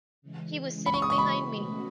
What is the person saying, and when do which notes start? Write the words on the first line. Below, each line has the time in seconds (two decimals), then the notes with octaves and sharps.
He was sitting behind me.
0.22 C#3 E3 G#3
0.86 B5
0.94 C#6
1.02 D#6
1.10 C#6
1.18 B5
1.51 B2 A3 C#4 F#4